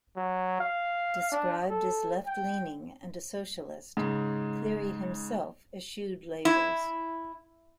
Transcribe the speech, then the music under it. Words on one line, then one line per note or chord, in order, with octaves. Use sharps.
Described as left-leaning and a socialist, Cleary himself eschewed labels.
F#3
F5
D4
A4
G5
G#2 C#3
E4